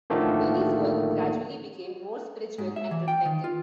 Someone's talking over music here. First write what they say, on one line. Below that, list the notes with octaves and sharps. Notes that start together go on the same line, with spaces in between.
Berni's work gradually became more spiritual and reflective.
A2 D3 D#3 F3 A3 A#3
G#2
E5
E3
G5
D#3
F4